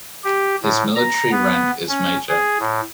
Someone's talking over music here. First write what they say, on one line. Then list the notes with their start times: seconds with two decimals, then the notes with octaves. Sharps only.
His military rank is Major.
0.24 G4
0.63 A2
0.95 A#5
1.31 B3
1.88 C#4
2.29 G#4
2.60 A2